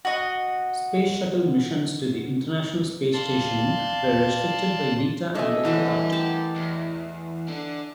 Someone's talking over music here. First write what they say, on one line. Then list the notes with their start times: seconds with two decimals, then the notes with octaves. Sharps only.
Space Shuttle missions to the International Space Station were restricted by beta angle cutout.
0.05 F#4 D#5
3.13 D5 F5 A5 C6
5.35 A3 D4 D#5 E5 G#5 C#6
5.65 E3 A3 G4 A#4 F#5
6.12 G4 A5
6.56 E2
7.48 D3 D4